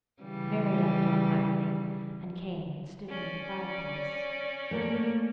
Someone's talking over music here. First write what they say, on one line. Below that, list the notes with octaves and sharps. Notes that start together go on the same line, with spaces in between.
Mary left off ironing, and came and stood near the fire-place.
C#3 E3 G3
C#4 D5
A3 A#3 A#4